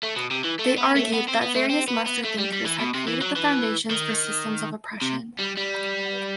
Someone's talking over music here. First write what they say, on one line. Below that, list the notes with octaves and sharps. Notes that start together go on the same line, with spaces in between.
They argued that various "Master Thinkers" had created the foundations for systems of oppression.
A3
B2
C3
E3
A3
B3
A3
B3
C4
B3
A3
C4
B3
B3
A3
G3
G3
E3
B2
C3
E3
F#3
E3
D#3
C3
G3
G3